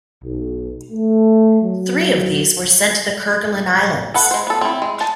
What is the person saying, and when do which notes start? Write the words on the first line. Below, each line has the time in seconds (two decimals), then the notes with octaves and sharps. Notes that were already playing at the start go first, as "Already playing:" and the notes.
Three of these were sent to the Kerguelen Islands.
0.24 B1
0.92 A3
1.63 F#3
4.14 A4 B4 F#5
4.31 G#3 C5
4.47 B3 A4
4.61 C4 E4
4.82 G#3
5.01 A5